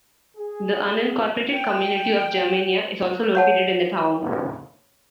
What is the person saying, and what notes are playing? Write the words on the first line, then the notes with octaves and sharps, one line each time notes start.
The unincorporated community of Germania is also located in the town.
G#4
G5
C#5 F#5 A5